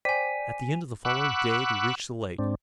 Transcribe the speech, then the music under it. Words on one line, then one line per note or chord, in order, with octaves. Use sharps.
At the end of the following day they reached the lake.
C5 D5 G5 G#5 B6 D#7
F#5 B5 C#6 D6 E6 F#6
G#2 C4 D4